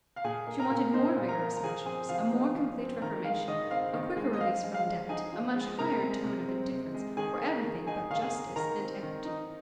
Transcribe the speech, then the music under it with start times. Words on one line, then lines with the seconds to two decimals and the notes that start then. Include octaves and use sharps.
She wanted more vigorous measures, a more complete reformation, a quicker release from debt, a much higher tone of indifference for everything but justice and equity.
0.16 F5
0.24 A#2 G#4 G#5
0.47 A#3
0.59 A#4 A#5
0.70 A#2
0.93 D#4 C5 C6
1.16 A#2
1.29 A#4 A#5
1.40 A#3
1.57 A#5
1.63 F3 G#4 G#5
1.85 C4 G#4 G#5
2.09 F3 F5
2.32 D#4
2.55 F3
2.78 C4
3.02 D#3 A#4 A#5
3.24 G#3 F5
3.48 D#3 D#5
3.71 C4 F5
3.93 D#3
4.17 G#3
4.33 D#5
4.40 F3 F5
4.64 G#3
4.74 F5
4.86 F3
5.09 D#4 G#4 G#5
5.33 F3
5.56 G#3
5.79 C3 A#4 A#5
6.03 G#3
6.25 C3
6.48 C4
6.71 C3
6.94 G#3
7.17 D#3 G#4 G#5
7.41 A#3
7.63 D#3
7.86 D#4 G#4 G#5
8.11 D#3 F5
8.21 G#4 G#5
8.33 A#3
8.56 D#3 A#4 A#5
8.79 C4
9.03 D#3
9.25 D#4